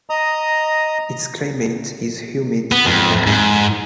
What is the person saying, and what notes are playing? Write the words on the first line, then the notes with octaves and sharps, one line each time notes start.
Its climate is humid and mild.
D#5 A#5 D#6
B3
F2
G#2